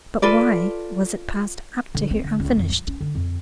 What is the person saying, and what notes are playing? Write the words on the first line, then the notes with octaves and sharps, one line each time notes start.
But why was it passed up to her unfinished?
F4 A4 B4 D5
D3
C4
D3
C#2
F2
F3
C#4
D3
F2